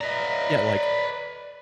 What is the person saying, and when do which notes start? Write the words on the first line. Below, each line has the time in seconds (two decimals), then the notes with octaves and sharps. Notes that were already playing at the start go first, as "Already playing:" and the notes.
yeah, like,
0.01 B4 D5 D#5 A#5